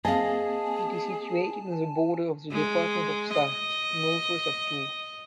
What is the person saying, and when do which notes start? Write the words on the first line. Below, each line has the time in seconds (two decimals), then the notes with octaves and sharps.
It is situated on the border of the department of Sarthe, northwest of Tours.
0.05 A#3 C4 G#4 D#5 F5 G#5 A5
2.52 G#3
3.34 D#5